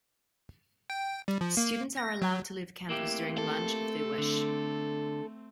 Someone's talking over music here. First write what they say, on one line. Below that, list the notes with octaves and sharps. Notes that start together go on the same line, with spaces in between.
Students are allowed to leave campus during lunch if they wish.
G5
G3
F3
A#3
A#6
F#3
A3 A#3 C4 E4 G4
A4
D3